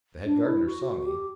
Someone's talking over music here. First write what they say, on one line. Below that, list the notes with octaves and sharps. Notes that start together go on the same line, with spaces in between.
"The head gardener saw me?"
D4
E4
F#4
F#4
G4